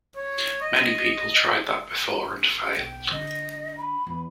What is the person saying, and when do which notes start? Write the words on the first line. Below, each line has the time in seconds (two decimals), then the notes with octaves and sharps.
Many people tried that before and failed.
0.16 C#5
0.61 D#5
1.35 D#5
2.78 B1 G5
3.11 D3 D4 D#5
3.77 B5
4.07 E2